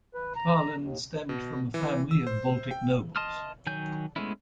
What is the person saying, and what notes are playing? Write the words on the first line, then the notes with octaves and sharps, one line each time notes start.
Pahlen stemmed from a family of Baltic nobles.
B4
A#5
D#2
B2
E3
E6
C5
G5
D#5 A5 C6 D#6 F6
D#3 F#3 G#5 G6
G#3 A3 B3 C#4 E4